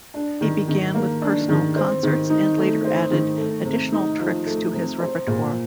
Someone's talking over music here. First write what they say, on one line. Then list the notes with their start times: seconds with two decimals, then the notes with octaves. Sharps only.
He began with personal concerts and later added additional tricks to his repertoire.
0.14 D4
0.41 D#3
0.68 D#3
0.95 A#3
1.22 D4
1.49 D#3
1.76 C4
2.03 D#3
2.30 D#4
2.58 A3
2.85 C4
3.11 D#3
3.38 A3
3.65 C3
3.92 D#4
4.19 F3
4.46 A3
4.74 C3
5.00 C4
5.27 A#2